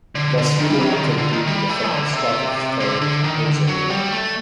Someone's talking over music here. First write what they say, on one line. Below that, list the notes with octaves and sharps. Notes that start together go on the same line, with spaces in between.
Thus human activity could affect the stratospheric ozone layer.
D3
D3
D#3
G3
F#3
D#3
D3
D3
D#3
G3
A3
D3
C3
D3
D3
D#3
D3
F#3
G3
A3